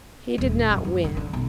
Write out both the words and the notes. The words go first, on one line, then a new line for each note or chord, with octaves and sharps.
He did not win.
D#1
F#2
F3
C#3
D3
B1